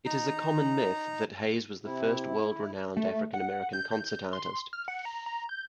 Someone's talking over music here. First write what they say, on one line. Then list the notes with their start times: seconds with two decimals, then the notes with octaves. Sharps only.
It is a common myth that Hayes was the first world-renowned African-American concert artist.
0.06 D#4 A#5
1.84 C3 E4
2.97 A3
3.34 F#5
3.73 G6
3.91 G6
4.33 C6
4.73 F6
4.88 F#5
5.05 A#5
5.26 A#5
5.49 G6